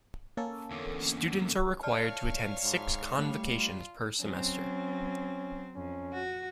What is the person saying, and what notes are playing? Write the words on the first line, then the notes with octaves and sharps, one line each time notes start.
Students are required to attend six convocations per semester.
A#3 C#4 A4
E2 D3
C#5 D5 F5 A5 F6
G#2
G3 A3
F4
F#3 C4 C#4
F2 C#4
F#4